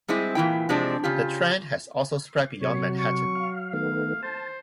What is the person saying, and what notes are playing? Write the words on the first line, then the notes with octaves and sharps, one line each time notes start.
The trend has also spread beyond Manhattan.
G3 G#3 C4 E4 G#4
A#2 E3 E4 G5
C3 F3 G#3 C4 D4
C#3 F4 G4
C3 F#3 C#5
C#6
F5
D#3 A3 B3 F5
C5 A5